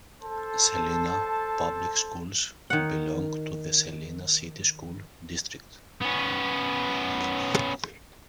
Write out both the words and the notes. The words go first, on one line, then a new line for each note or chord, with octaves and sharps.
Celina Public Schools belong to the Celina City School District.
A4 C5 A5
D#3 F#5
B3 C#4